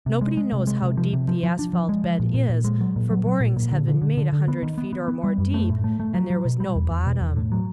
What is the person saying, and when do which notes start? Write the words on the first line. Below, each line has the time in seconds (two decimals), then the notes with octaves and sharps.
Nobody knows how deep the asphalt bed is for borings have been made a hundred feet or more deep and there was no bottom.
0.06 C3
0.21 G#3
0.37 G#3
0.52 C3
0.67 G#3
0.82 C3
0.97 F3
1.13 C3
1.28 F3
1.43 F3
1.59 D4
1.73 F3
1.89 G#3
2.04 F3
2.20 A#2
2.34 A#2
2.49 A#2
2.65 G#3
2.80 F#3
2.96 A#2
3.10 F#3
3.26 F#3
3.41 A#2
3.56 A#2
3.72 D3
3.87 D3
4.02 D3
4.17 D3
4.33 D3
4.48 B3
4.63 D#3
4.78 B3
4.93 B3
5.08 B3
5.24 G3
5.38 F#2
5.54 A3
5.70 A2
5.84 A3
6.00 A3
6.14 F#3
6.30 F#3
6.45 B2
6.60 G3
6.76 E2
6.91 E2
7.06 B2
7.21 E2
7.37 A2
7.52 F#3